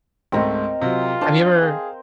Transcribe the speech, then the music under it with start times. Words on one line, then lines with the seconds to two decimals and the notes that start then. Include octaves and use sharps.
Have you ever
0.32 C#2 G#2 A3 C4 A#4 D#5
0.82 C3 F#3 F4
1.21 D4 C5 G5 A5 C6
1.61 G#4 F5